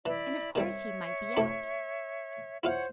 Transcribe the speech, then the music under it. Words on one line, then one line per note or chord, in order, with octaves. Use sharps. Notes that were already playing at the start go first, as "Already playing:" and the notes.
And of course, he might be out.
E3 E4 D5
D#3 G3 C4 C#5 E5
A3 C4 E4
E4 F4 C5 C#5 F5 F#5